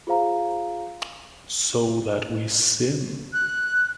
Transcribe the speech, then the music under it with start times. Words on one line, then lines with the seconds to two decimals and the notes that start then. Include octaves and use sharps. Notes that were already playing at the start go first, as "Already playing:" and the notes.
So that we sin.
0.07 F4 G#4 C5 F5 A#5
3.33 F#6